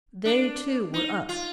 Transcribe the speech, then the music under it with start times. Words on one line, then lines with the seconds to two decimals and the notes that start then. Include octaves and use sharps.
They, too, were up.
0.25 D4
0.94 D#4
1.29 F4